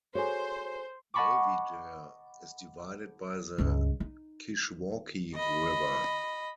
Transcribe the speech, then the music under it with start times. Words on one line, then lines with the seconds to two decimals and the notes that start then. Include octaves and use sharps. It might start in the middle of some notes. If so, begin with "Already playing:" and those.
Belvidere is divided by the Kishwaukee River.
0.15 F#4 G#4 A4 C5 C#5 G#5
1.14 D#5 F#5 A5 B5 C#6 D6
3.58 C#2 G2
4.00 D#4
5.35 D#5 B5